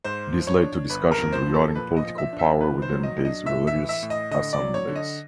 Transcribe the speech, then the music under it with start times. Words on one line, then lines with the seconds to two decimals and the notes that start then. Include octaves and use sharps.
This led to discussions regarding political power within these religious assemblies.
0.04 G#2 C5
0.33 F3
0.47 C#5
0.61 D4
0.90 G1 B4
1.12 A#4
1.18 F2
1.33 C5
1.47 F3
1.54 A4
1.75 A#2 B4
1.97 D#5
2.04 F3
2.18 E5
2.33 D4
2.39 E5
2.61 D#3 B4
2.82 C5
2.89 F#3
3.03 D#5
3.18 D4
3.25 D#5
3.46 A2 E5
3.67 E5
3.74 E3
3.89 E5
4.03 A2
4.10 D#5
4.31 D3 D#5
4.53 D5
4.60 F#3
4.74 C#5
4.88 D3
4.96 D#5